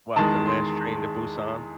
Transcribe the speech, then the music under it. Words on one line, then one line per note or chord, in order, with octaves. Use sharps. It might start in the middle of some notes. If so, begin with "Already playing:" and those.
What, the last Train to Busan?
E2 D#3 G#3 A5
C6